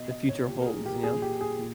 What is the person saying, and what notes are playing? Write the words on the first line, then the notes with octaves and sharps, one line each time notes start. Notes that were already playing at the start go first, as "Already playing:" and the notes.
the future holds, you know?
Already playing: B2 D#5
D#5
C#5
A#2 G4
A#4
G#4
G4
A#2 G#4
G4
G#4
A#2